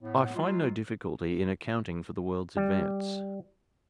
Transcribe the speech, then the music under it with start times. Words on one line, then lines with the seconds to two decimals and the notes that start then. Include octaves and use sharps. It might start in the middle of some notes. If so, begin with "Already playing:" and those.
I find no difficulty in accounting for the world's advance.
0.01 A2 B3
0.35 F#3 G#3 F4
2.57 G3